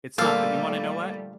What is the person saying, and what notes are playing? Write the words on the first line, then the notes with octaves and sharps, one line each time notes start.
It's not, but, you wanna know what?
A#2 D3 F3 G3 A3 A#3 A4 F5